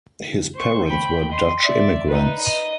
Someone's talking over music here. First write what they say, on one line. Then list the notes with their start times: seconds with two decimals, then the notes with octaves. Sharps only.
His parents were Dutch immigrants.
0.54 C5 C#6
0.86 G5 B5
1.31 D#5 C6
1.61 D5 E5
2.08 D#4 B4
2.41 D#5